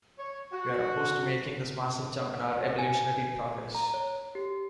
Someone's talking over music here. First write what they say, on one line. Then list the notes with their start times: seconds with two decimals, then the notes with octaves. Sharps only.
We are opposed to making this massive jump in our evolutionary progress.
0.18 C#5
0.52 F#4
2.34 F#5
2.79 G#5
3.75 A#5
3.94 C#5
4.35 G4